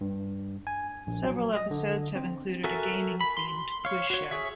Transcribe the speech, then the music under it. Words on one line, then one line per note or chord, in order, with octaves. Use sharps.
Several episodes have included a gaming-themed quiz show.
G2
G#5
A#1
F#3
D#5
D3
C4
F#4 A4 A#4 E5 G#5
B5
C6
C#5 F5
F#4 C#5
G#4 C#5 E5